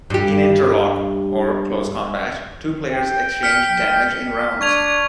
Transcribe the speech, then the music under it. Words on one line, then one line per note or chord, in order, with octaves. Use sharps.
In Interlock, or Close Combat, two players exchange damage in rounds.
G2 G4
G5
F6 B6 C#7
D4 C#6 G#6 F7